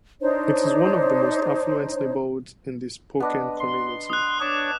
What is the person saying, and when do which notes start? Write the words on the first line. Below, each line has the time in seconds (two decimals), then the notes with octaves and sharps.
It is one of the more affluent neighborhoods in the Spokane community.
0.21 D4 D#4 C5 C#5
3.20 B3 D4 D#5
3.59 C6
4.10 D#6 F#6
4.40 D4 C#5 D6 D#6